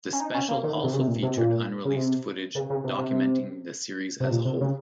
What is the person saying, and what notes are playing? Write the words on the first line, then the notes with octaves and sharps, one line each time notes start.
The special also featured unreleased footage documenting the series as a whole.
C#4
D#4
C#4
A#3
D#3
C3
C#3
C3
A#2
C3
A#2
C#3
C3
C#3
C#3
C3
C3
C3
A#2
C3
C#3